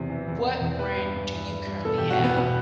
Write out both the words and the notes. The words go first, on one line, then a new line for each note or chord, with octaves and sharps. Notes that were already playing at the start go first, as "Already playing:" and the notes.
What brand do you currently have?
Already playing: E2 C3
E3
E2
C3
E2
E3 B4
G2
G2
E3
E3
G2
B2 A4
E2 G4
F#4
E2 B3
B2 B3